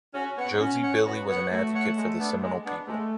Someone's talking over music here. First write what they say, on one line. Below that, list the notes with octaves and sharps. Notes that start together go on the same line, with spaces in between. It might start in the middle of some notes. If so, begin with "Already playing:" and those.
Josie Billie was an advocate for the Seminole people.
C#4 F#4
B3 C#5 F#5
C#4 F#4
C#5 F#5
B3 F#4
B3 C#5 F#5
A3 F#4
C#5 F#5
G#3
B3 D4
G#3
B3 D4
G#3 A3